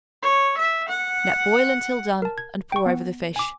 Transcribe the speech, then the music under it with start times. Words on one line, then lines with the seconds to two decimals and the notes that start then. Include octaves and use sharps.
Let boil until done and pour over the fish.
0.23 C#5
0.58 E5
0.89 F#5
2.22 A#4 A5
2.38 G#6
2.72 G5 C#6
2.86 B3 F#5
3.36 G#5 D6